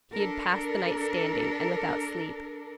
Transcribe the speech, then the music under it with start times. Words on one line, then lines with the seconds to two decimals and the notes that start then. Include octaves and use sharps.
He had passed the night standing, and without sleep.
0.14 D4 A4 A#4